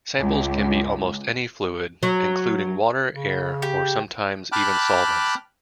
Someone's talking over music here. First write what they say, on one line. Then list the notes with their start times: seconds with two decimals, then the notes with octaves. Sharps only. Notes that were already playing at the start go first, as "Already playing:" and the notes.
Samples can be almost any fluid including water, air or sometimes even solvents.
0.21 C#2
2.03 F#3
3.13 C#3
3.62 G4
4.52 G5 A5 B5 D6 F6 F#6